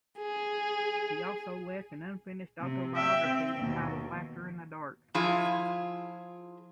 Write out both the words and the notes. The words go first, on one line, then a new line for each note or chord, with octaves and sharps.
He also left an unfinished autobiography entitled Laughter in the Dark.
G#4
C3
E5 G5
C4
D#2 B2
F3 E4 F4 G#4